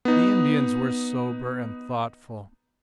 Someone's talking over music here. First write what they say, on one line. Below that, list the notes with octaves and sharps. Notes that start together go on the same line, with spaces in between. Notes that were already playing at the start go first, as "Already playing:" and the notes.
The Indians were sober and thoughtful.
B3 D#4